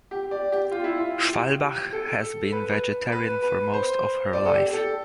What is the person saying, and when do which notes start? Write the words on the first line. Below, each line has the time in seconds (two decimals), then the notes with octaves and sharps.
Schwalbach has been vegetarian for most of her life.
0.11 G4
0.31 D5
0.52 G4
0.71 F4
0.84 E4
0.97 F4
1.32 G4
1.93 A4
2.52 B4
3.12 B4
3.43 B4
3.74 C5
4.33 D5
4.45 A4
4.54 G4
4.73 A4